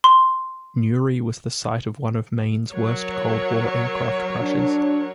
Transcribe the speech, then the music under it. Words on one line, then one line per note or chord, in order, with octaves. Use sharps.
Newry was the site of one of Maine's worst Cold War aircraft crashes.
C6
F#3 A#4 C#5
D4